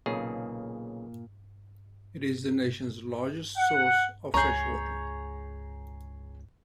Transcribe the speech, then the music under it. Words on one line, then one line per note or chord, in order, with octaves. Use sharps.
It is the nation's largest source of freshwater.
B1 A#2 C#3 G#4
F#5
C#2 G#4 C#5 A#5 G6